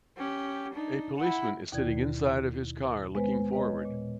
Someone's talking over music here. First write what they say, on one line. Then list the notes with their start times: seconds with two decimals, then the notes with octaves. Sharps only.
A policeman is sitting inside of his car looking forward.
0.17 C#4 G4
0.73 D4 D#4
1.17 E4 F#5
1.72 D#2 B2 D#3 E4 D5 G#6
3.15 G#3 B3 B4 C5 G#5
3.53 B4 C#5 D#5
3.85 A#2